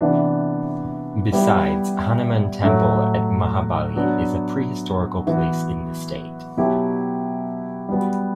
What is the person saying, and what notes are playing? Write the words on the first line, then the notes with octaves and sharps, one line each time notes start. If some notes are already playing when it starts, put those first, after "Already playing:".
Besides, Hanuman Temple at Mahabali is a pre-historical place in the State.
C3 E3 B3 D4 F#4
G3 B3 E4 G4
A2 F#3 A3
F#3 B3 D4 F#4
E3 B3 F#4
B2 F#3 B3 E4 G4
G3 B3 F#4